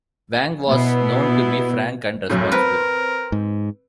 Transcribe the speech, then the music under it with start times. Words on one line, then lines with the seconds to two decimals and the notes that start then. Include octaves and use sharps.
Wang was known to be frank and responsible.
0.69 B2 B3 E4
2.30 B1 F#2 A2
2.52 C4 A#4 B4
3.32 G#2